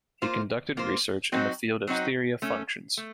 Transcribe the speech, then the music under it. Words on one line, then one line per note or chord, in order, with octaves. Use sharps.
He conducted research in the field of theory of functions.
A#3 F4 C5
A#3 F4 C5
F#3 C4 D#4 F#4
F#3 C4 D#4 F#4
A3 C#4 A4
A3